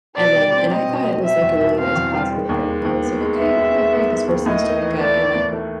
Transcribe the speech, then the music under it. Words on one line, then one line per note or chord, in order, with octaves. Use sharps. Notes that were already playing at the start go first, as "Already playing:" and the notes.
and then and I thought it was, like, a really nice positive article. I was, like, "Okay, cool, great, this person's doing good." And then
B2 D5
G3
C4
C4 D#5
B2
C4
G3 E5
E2
B2
C4 F5
E2
G3
G#3
D#2
G#3
D#2
B3
G#3
B3 E5
G#3
G#3
B3
B3
D#2
A2 D#5
A3
E3
A3 D5
A3
A2
A3